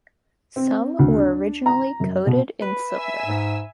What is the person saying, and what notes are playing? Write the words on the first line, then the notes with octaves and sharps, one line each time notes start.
Some were originally coated in silver.
C4
D2
D4
A#5
F#2
B2
B4
E5 G#5 E6
G#2